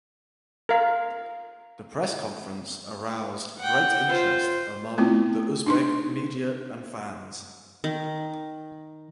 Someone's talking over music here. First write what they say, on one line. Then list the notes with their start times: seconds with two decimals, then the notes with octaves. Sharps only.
The press conference aroused great interest among the Uzbek media and fans.
0.69 A#4 F5
3.59 F#5 G5
4.08 F4 C5
4.98 A3 B3 C4 E4 F4
5.66 D4 D#4 C6
7.84 D#3